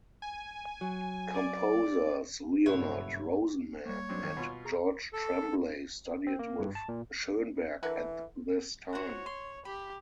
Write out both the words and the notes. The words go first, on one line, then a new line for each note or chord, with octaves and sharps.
Composers Leonard Rosenman and George Tremblay studied with Schoenberg at this time.
G#5
F#3
D5
F#1 G2 B2 E4 C#5
G3 A#3 C#5
F#2 C4 D4
D#2
B2 B3 F4
G#4 A#5
A4
C4
A#3
G2
A5
A#2
D3 E3 A#4 B4
F#4 C5 C#5 F#5
C6
G4 B5